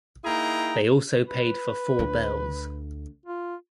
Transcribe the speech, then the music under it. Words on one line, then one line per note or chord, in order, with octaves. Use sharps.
They also paid for four bells.
A#3 D#4 E4 G#4 G5 A#5
B4
D2 D4
F4